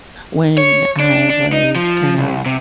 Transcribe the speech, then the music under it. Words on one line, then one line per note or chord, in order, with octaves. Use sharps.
when I was kind of
C#5
D4
D4
D#4
F3
C2
C3